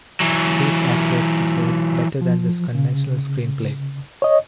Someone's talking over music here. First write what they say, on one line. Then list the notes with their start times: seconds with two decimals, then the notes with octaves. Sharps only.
These actors deserved better than this conventional screenplay.
0.20 E3 F#3
2.21 F3
2.75 C#3
4.22 C#5 D#5